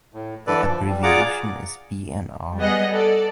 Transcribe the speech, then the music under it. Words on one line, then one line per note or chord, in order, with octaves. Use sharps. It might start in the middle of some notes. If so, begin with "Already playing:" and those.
The abbreviation is Bnr.
A2
D3 E3 A4 B4 D5
F3
G3
F4 G#4 D5 F#5 A#5 D6
G3 B3 G#4 D#5 F#5
A4 D5